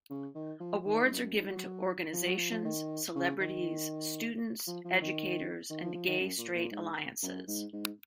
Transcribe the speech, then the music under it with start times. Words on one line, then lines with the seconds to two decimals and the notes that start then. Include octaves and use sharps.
Awards are given to organizations, celebrities, students, educators and gay-straight alliances.
0.10 C#3
0.34 D#3
0.60 F3
0.85 D#3
1.05 G#2
1.11 F#2
1.23 F#2
1.37 G#2
1.49 F#3
2.13 F3
2.26 F#3
2.38 F3
2.51 F3
2.64 D#3
3.15 C#3
3.40 D#3
4.67 F3
4.85 F3
5.01 D#3
5.70 D#3
5.83 F3
5.95 F3
6.07 D#3
6.20 F#2
6.38 A#2
6.54 A#2
6.71 G#2
7.22 F#2
7.48 G#2
7.73 G#2